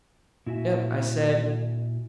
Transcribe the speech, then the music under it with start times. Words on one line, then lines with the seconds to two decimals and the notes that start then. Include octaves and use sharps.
"Yep," I said.
0.46 A#2 E4 F#4 E5 G#5